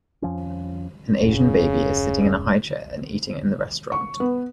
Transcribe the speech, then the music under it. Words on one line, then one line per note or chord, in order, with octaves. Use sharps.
An Asian baby is sitting in a highchair and eating in the restaurant.
F2 F3 C#4
D#1 F#2 C#3
C#6
B3